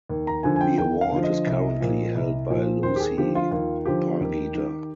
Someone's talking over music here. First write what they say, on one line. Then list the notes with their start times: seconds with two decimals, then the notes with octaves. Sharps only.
The award is currently held by Lucy Pargeter.
0.09 D#2
0.27 A#5
0.43 D3 F3 G#5
0.56 G#5
0.61 G5
0.78 D#2 G5
1.01 F5
1.12 D3 F3
1.24 D#5
1.47 C2
1.80 A#2 F3
2.15 C2
2.50 A#2 F3
2.83 D#2 C5
2.96 G4
3.00 G#4
3.17 D3 F3 G4
3.35 F4
3.51 D#2 F4
3.86 D3 F3 G4
4.20 D#2
4.55 D#3